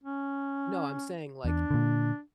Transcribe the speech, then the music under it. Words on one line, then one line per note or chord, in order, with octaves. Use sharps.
No, I'm saying, like,
C#4
E2 D4
A#2 D3